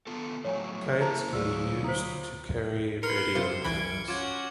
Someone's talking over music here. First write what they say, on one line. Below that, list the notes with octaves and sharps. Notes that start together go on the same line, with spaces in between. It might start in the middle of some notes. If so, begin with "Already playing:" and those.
Kites can be used to carry radio antennas.
B3 F4 A4
A2 F3 F#3 C#5 G#5
G#4 C5
A#3 E4 A#4 C5 A5 A#5
D2 F#3 F4 G#4 B4 C#5 D5 E6
C5 A#5 D#6 B6
A#4 B4 C6 F6 C#7
C3 F4 C5
C2 E3 B5 G#6 D7
C#4 F4 F#4 D6 G#6